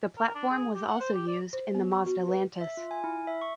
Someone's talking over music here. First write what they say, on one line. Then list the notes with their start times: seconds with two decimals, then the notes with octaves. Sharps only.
The platform was also used in the Mazda Lantis.
0.17 A#4
0.35 D4
0.50 G#4
0.75 G4
0.87 F#5
1.00 C5
1.13 G4
1.27 D5
1.53 C5
1.75 B3
1.92 C#6
2.06 F#4
2.28 B4
2.61 E5
2.77 F4
2.91 G#5
3.04 E4
3.27 E5
3.42 C#6